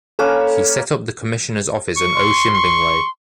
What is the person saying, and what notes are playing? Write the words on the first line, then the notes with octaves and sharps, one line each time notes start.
He set up the commissioner’s office in Otjimbingwe.
A#3 C#4 A4 B4
C#6
C6
C#6